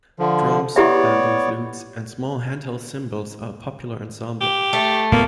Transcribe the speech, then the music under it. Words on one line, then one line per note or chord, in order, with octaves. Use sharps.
Drums, bamboo flutes and small hand-held cymbals are a popular ensemble.
D3 F3
B3 E4 G4 C#5 D5 E5
G4
A3
A2 A#3 B3